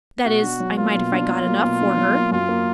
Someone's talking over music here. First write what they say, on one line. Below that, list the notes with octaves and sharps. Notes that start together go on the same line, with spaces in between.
That is, I might if I got enough for her.
B2 F#4
D4
F#3
A#3 F4
B2
D4
F#3
A#3
B2
D4
F#3
A#3
F#2 F4
A#3